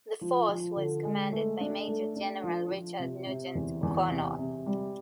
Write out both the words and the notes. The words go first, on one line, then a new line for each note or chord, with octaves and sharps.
The force was commanded by Major-General Richard Nugent O'Connor.
F3
F3
D3
G#3
A3
D4
A3
D4
F3
F3
C3
C3
E2
E2
C3
C3
G3